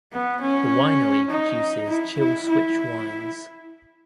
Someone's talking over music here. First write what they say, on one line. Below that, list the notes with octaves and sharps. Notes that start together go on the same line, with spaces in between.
The winery produces Chill Switch Wines.
B3
C#4
D#4
E4
E4
E4